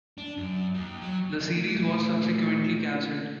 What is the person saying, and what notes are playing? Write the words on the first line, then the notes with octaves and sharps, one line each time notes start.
The series was subsequently cancelled.
D4
F#2
D#2
F#3
A#2 A3